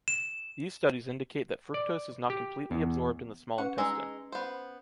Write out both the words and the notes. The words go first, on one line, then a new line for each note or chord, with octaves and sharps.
These studies indicate that fructose is not completely absorbed in the small intestine.
E7
D5
G4
E2
C#4 B4 F#5
G#3 D#4 E6
B3 C5